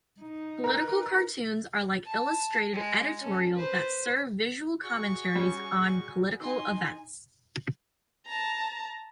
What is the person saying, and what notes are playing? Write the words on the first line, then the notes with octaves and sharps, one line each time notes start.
Political cartoons are like illustrated editorial that serve visual commentaries on political events.
D#4
A#4 B4 F#6
A5
G#3
C#4 A4
B4 C5
F#4 G#4 D5 C#6
G3 C#4
D#4 G#5 C6
A5 A#5